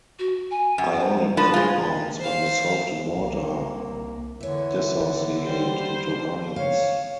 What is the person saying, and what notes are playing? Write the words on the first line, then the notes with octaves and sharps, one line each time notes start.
Ionic compounds, when dissolved in water, dissociate into ions.
F#4
G#5
F#2
C5
F3 D4 A#4 B4
G#3 F4 G#4
C5 F5
C2 A#3
D3 E3 C#5 E5
G3 C5
C#5 F5